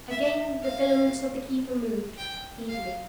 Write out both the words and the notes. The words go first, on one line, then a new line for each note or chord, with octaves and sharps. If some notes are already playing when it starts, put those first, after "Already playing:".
Again the filaments of the Keeper moved--feebly.
E5
F5
G5
F5